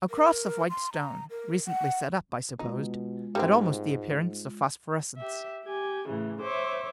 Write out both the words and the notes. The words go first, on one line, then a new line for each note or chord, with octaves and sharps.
A cross of white stone, recently set up, I supposed, had almost the appearance of phosphorescence.
A#4
C6
A#5
A#4
F#5
B2 G#3 D#4 F4
G#2 G3 A#3 C4
G4 E5
G4 G#5
A2 C#3 E3
C5 C#5 E5 D6